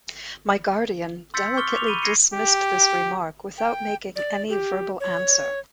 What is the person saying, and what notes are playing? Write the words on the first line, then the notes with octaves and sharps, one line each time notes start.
My guardian delicately dismissed this remark without making any verbal answer.
C6 E6 G6 A6 B6 C#7
C#6 D6 F6 G7
D6 F7
B5 D#7 G7
G#6 A#6 C7 C#7 D#7
G4
G5
D5
G4
C#5